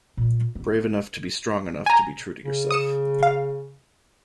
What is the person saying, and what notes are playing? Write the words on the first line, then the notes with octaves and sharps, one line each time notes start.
Brave enough to be strong enough to be true to yourself.
A#2
B3
G#5 A#5
C#3
D#6 C#7 E7
F5